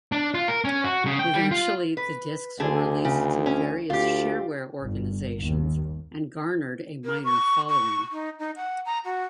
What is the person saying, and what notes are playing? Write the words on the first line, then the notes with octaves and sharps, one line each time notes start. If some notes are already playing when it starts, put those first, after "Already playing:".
Eventually the disks were released through various shareware organizations and garnered a minor following.
D4
F4
A#4
C#4
F#4
C#3
G5
G3
F4
B4
D2 D3 G#4
C#3
C#4
D2 F4 G4
G1
D#2
A#4
C#6
C#6
D#4
D#4
F#5
A#5
F#4